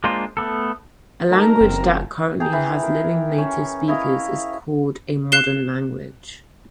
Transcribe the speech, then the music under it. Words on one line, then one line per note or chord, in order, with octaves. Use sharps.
A language that currently has living native speakers is called a modern language.
G#3 A#3 D4 F4 C5
A3 B3 A4
A3 D#4 A4 A#4 A#5
F#1 C4
G#4 G5 A#5
E3
A#4
C#4
E4 C#5 D#5 F5
F#6 C7 E7 G7